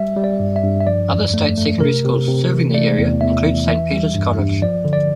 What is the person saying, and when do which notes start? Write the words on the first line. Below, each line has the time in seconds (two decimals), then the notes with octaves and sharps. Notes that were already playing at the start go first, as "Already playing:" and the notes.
Other State secondary schools serving the area include Saint Peter's College.
Already playing: G3 E5
0.17 G3
0.24 D5
0.40 G2
0.56 E5
0.63 G2
0.80 E5
0.87 F3 D5
1.11 F2
1.34 A3
1.57 A3
1.80 C3 A#4
2.04 C3
2.28 C3
2.51 E3
2.74 A3 D5
2.98 E2
3.21 E2 E5
3.45 E2
3.67 E3 E5
3.92 G3
4.15 G2
4.38 G2
4.62 F3 D5
4.85 D3
4.93 D5